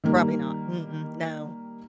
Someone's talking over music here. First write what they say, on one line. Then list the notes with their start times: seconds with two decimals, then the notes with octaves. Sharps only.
Probably not. Mm-mm, no.
0.04 D#3 G3 A#3